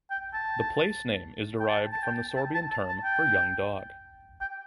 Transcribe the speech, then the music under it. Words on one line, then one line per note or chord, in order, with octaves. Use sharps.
The place name is derived from the Sorbian term for "young dog".
G5
A5
G5
A5
A5
G5
A5
A5
A5
A5
G5
G5